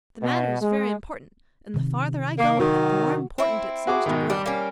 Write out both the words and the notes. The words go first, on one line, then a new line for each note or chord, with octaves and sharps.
The matter is very important, and the farther I go with it, the more important it seems to grow.
B2
G#3
C3 D#3
A#3
D#3 F#3 F#4
C4 E4
F#4 G#4 D6
G#2 B2 D#3
G3 D4 G4
A#3 C#4